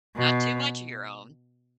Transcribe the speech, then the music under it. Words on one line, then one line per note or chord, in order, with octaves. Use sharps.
not too much of your own."
B2